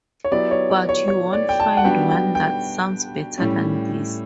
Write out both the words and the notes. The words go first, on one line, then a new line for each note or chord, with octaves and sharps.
But you won’t find one that sounds better than this.
C#5
F#3 B3 E4 G4 D5
C#5
D5
C#5
C#5
D5
G5
A5
F#5
G3 B3 D4 F#4 G5
G5
G5
A2 G3 C#4